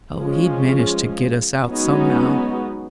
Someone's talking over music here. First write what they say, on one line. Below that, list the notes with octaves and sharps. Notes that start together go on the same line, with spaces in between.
"Oh, he'd manage to get us out somehow."
F3 G#3 C#4 F4
F#3 G#3 B3 C#4 D#4 F#4